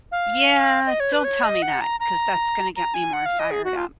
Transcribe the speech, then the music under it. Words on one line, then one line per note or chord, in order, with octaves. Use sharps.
Yeah. Don't tell me that 'cause that's gonna get me more fired up.
F5
D#5
C#5
B4
C#5
D#5
F#5
A#5
A#5
A#5
G#5
F#5
F5
D#5
G#4
F#4
F4